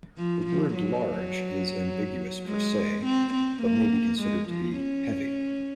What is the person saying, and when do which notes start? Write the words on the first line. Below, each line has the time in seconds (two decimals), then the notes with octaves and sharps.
The word "large" is ambiguous per se, but may be considered to be "heavy".
0.17 F3
0.46 F3
0.75 F#3
2.47 G#3
3.05 C4
3.34 C4
3.63 A#3
4.20 G#3
4.49 F3
4.78 C#4